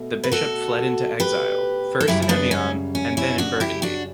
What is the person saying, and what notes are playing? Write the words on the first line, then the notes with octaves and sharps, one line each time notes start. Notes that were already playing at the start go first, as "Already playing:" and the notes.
The bishop fled into exile, first in Evian, and then in Burgundy.
Already playing: B2 A3
B4
F#4 A4
G4 B4
A4
F#2 C#3 G3 E4 G4
E4
B3 D4
C#4
C#4
C#4 E4
D4 F#4
E4 G4
D4 F#4